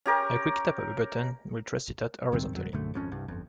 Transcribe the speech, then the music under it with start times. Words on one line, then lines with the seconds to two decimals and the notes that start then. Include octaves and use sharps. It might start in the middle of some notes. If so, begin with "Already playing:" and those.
A quick tap of a button will thrust it out horizontally.
0.06 C#4 G4 A#4
2.32 C#2 G2 D#3 C4
2.53 G1 F2 F#3
2.73 A#1 F#2 D3 A3
2.94 G#1 F2 C#4
3.12 C2 G2
3.28 G1 F2